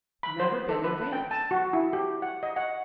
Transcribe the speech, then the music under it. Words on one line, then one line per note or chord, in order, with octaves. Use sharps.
Never been advanced.
B5
C5
A4
B4
G5
A5
F#4
E4
G4
F#5
D#5
F#5